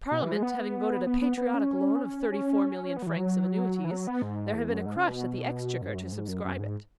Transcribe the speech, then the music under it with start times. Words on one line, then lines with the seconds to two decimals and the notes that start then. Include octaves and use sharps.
Parliament having voted a patriotic loan of thirty-four million francs of annuities, there had been a crush at the Exchequer to subscribe it.
0.11 B2
0.22 E3
0.32 G#3
0.43 B3
1.07 B3
1.22 B3
1.37 B3
1.54 C#4
2.32 C#4
2.97 B3
3.02 F#3
3.07 E3
3.16 F#3
3.84 E3
3.91 F#3
4.07 B3
4.22 G#2
4.54 E2
4.70 F#2
4.86 G#2
4.96 C#3
5.08 B2
5.81 F#2
5.88 G#2
5.94 F#2
6.12 G#2
6.28 F#2
6.45 F#2
6.60 G#2